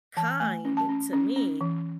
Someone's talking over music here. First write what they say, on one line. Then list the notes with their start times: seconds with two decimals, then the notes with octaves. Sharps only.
kind to me,
0.17 E3 A5
0.40 A3 G#5
0.65 C#4
0.77 A5
0.89 C#4
1.13 C#4
1.36 C#4
1.61 E3